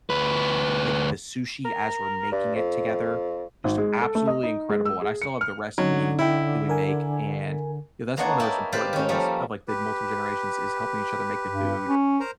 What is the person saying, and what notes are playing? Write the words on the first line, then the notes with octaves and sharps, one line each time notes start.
like, the sushi as we're making it together. Just absolutely incredible, and I still have the recipe that we make, and, you know, that's one of the most important things of, like, the multiple generations is helping each other make the food
D2 B4
A#4
G2
F2
G#1
G#3
A4
A3
D#5
D#4
G#3
E6
G#4
C#7
F6
D3 F#3 C#4 D#4
E4 G5
A#4 G#5
G#3 A#3 B3 D4 C#5 F#5
A#3 D#4 E5 G5 A5 B5
G4 B4 C5 D5 F5 G5
D#3 C#4
F3 G3 A3 A#3
G4 B4
G2
C#4
A#4 C5 A#5